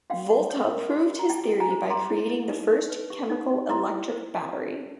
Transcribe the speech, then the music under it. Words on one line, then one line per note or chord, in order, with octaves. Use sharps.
Volta proved his theory by creating the first chemical electric battery.
F#4 F5 G5
F#4
C#5
A#4
F#4
F#4
A#5
E4 G5 A5
E4
G#5 A#5
C5
G#4 A#5 C6
E4
E4
D#4
D#4
B4
G4
D#4
D#4
E4 A#5 C6
E4
C5